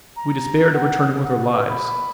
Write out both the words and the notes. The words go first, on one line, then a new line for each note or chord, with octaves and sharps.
We despaired of returning with our lives....
A#5
F#5
F#5
B4
B5